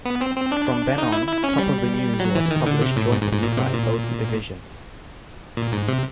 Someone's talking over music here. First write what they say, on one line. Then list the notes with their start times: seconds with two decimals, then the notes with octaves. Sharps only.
From then on "Top of the News" was published jointly by both divisions.
0.05 B3
0.21 C4
0.36 C4
0.52 D4
0.98 D#4
1.12 E4
1.28 E4
1.44 C#4
1.58 G3
2.20 F#3
2.35 E3
2.51 D#3
2.66 D3
2.81 C3
2.97 A2
3.12 G#2
3.22 G#2
3.33 G#2
3.43 A#2
3.57 C3
3.73 A#2
5.57 A#2
5.72 G#2
5.88 C3